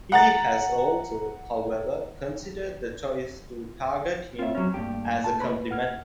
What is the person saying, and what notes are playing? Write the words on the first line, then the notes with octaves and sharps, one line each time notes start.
He has also, however, considered the choice to target him as a compliment.
F#5 A#5 A6
C4 F4 C#5 E5
F#3 C#4
G2 A3 A#3 G4
A5
B4 B5
F#5 F6 G#6